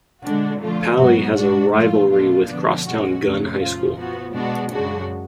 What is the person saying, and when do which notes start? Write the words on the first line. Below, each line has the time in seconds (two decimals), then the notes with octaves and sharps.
Paly has a rivalry with crosstown Gunn High School.
0.22 D3 G#3 D4 F#4
0.61 D3 F3 A3 F4
0.98 G#2 F#3 B3 F#4
1.35 G#2 G#3 D4 F#4
1.73 G#2 F3 A3 F4
2.09 B2 F#3 A3 D4 F4
2.47 D3 F3 B3 D4
2.84 B2 G#3 C#4 F#4
3.21 F2 C#3 F#3 A3
3.59 F#2 F3 A3 F4
3.95 F3 B3 F#4
4.33 B2 G#3 B3 D4 F#4
4.71 F#2 C#3 G#3 D4 F#4